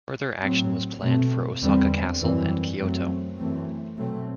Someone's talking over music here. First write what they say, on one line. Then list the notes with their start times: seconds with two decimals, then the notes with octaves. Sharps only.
Further action was planned for Osaka Castle and Kyoto.
0.43 A2 F#3 C4
1.01 B2 A3 C4
1.61 E2 D3 G3 C4
2.19 F#2 E3 G3 C4
2.79 F#2 F#3 A3 C4
3.37 F#2 E3 A3 C4
3.97 B2 F#3 A3 C4